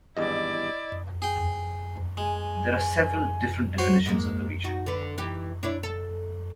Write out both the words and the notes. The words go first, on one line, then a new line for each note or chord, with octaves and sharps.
There are several different definitions of the region.
G#1 E2 G2 E4 D5 D#5
G#4 G5
G#3 G#5
F#4 C5 C#5
G#2 G#3 A#3
D#4 F#4
D3 B4
E3 D#4 G4
D4 E4 C#5
A4